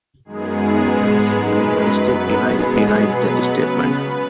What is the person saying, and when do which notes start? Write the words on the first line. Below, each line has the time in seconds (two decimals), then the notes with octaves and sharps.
Vietnam's foreign ministry denied the statement.
0.25 F#2 D#3 G#3 B3 G#4
0.79 G#2 G#3 B3
1.31 F#2 D#3 G#3 B4
1.85 F#2 F#3 B3
2.39 B2 G#3 B3 G#4
2.91 B2 F#3 B3 B4
3.46 C#3 B3 B4
3.99 B3